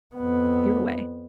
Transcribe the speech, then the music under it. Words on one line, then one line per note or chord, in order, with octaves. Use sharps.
your way,
F2 B3